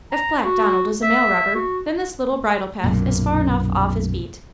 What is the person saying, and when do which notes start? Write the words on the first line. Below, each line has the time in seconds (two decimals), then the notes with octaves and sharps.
"If Black Donald is a mail robber, then this little bridle-path is far enough off his beat."
0.12 A#5
0.44 F#4
1.03 E5
1.55 F#4
2.84 B1 F#2 A#2